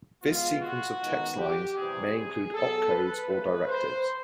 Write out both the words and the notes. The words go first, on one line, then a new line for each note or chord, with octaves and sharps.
This sequence of text lines may include opcodes or directives.
B2 G#3 B3 F4
F#4
F#2 D#3 G#3 B3
G4
F2 C3 E3 G3 G#4
G#4
B2 F#3 B3 A4
B4
C#2 C#3 F3 A3 B4
C5